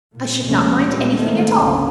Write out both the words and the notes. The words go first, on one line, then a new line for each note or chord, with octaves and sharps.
"I should not mind anything at all."
A#2
D2 C3 F3 G#3 A#3 C#4
A#2 F3 G3 G#3
G#2 D#3 A3 A#3 C4
F#1 D2 D3 C#4